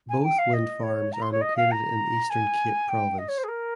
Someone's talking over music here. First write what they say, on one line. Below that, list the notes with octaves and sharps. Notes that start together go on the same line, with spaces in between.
Both wind farms are located in Eastern Cape Province.
G#5
G5
F5
D#5
C#5
A#5
C6
C#5
D#5
F5
A#5
G#5
G5
D#5
C#5
C5
G#4
A#4